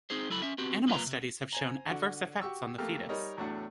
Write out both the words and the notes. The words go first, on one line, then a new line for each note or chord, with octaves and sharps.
Animal studies have shown adverse effects on the fetus.
C4 D#4 G#4 C5
C#2 F#3 E4 A4 B5
C#4 E5
B3 C4 F#4 G4
F#2 A#3 D#4 F4 B4 A#5
C3
C5 G#5 A#5
D3 F#4
F#4 G4 C#6 E6
F2 A3 A#3 G4 F6
G3 D#4 A#4 C#5 D#5
E2 A2 F#3 A3 D4 F#5